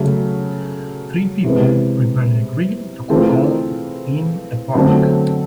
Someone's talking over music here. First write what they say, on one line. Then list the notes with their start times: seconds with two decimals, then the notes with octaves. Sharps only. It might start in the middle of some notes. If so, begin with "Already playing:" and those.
Three people preparing a grill to cook on in a park.
Already playing: C#3 F#3 A3
1.44 C3 E3 G#3 B3
3.10 E3 A3 C4 F4 G#4
4.75 D3 F#3 A3 C4